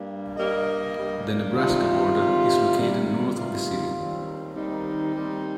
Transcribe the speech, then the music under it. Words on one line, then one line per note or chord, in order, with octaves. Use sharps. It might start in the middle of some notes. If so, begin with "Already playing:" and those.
The Nebraska border is located north of the city.
Already playing: G2 G3 A#3
G2 G3 A#3 A#4 D#5
G2 G3 A#3
C3 D#3 G3 F4
C3 D#3 G3
C3 D#3 G3
C3 D#3 G3 F4
D#2 D#3 G3 C4
D#2 D#3 G3 C4 D#4
D#2 D#3 G3 C4